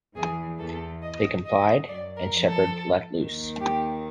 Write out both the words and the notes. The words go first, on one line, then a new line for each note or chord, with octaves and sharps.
They complied and Shepard let loose.
E2 E3 G#4
E2 E3 A4
D#5
D#5
F#2 F#3 D5
A#4
F2 F3
A4
D#2 D#3
G4